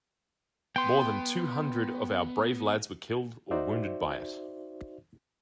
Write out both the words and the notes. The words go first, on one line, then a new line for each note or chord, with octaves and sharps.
More than two hundred of our brave lads were killed or wounded by it.
B3 G5 C6
D#4 F#4 C5 D5 E5